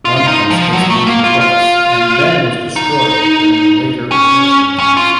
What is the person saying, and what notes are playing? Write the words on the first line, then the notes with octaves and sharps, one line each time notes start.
One house was moved twice and then was destroyed during the later eviction attempt.
F4
F4
D#4
F3
F#3
A3
A#3
F4
F4
D#4
C#4
C#4
F4